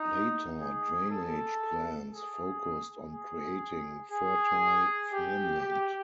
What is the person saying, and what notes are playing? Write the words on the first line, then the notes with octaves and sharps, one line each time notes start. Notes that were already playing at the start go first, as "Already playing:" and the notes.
Later drainage plans focused on creating fertile farmland.
Already playing: D#4
G#4
A4
G#4
G#4
G#4
G4
G4